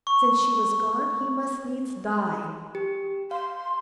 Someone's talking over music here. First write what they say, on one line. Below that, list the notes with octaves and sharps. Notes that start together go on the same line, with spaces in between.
Since she was gone, he must needs die.
C#6
G4
F5 C6